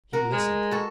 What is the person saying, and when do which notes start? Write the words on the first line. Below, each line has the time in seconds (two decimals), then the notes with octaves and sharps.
He listened.
0.13 F#4 A#4
0.32 G#3
0.71 F#4 A4